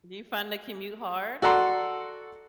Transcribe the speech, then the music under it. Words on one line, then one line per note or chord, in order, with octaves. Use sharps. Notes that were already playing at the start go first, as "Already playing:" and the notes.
Do you find the commute hard?
F#4 A4 D5 F#5 A#5 C6